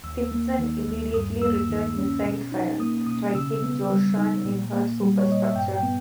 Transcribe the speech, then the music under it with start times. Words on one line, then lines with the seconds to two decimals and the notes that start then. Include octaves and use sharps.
"Simpson" immediately returned missile fire, striking "Joshan" in her superstructure.
0.04 D#2 E6
0.32 A#3
0.59 D#3
0.87 D#2
1.14 G2 D#6
1.42 A#3 E6
1.56 E6
1.69 D#3
1.97 C#4
2.24 B2
2.52 D#4
2.79 A#3 D#6
3.07 B2 D#6
3.35 C#3 E6
3.62 B3
3.90 G3
4.17 D#4
4.45 A#2
4.73 A#3
5.00 G3
5.19 C#5
5.28 A#2 D#5
5.44 E5
5.55 G2 G5
5.73 G5
5.83 B3